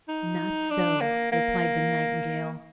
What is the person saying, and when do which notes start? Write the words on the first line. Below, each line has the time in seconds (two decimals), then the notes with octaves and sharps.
"Not so," replied the Nightingale.
0.08 D#4
0.71 D4
1.01 A#3
1.32 A#3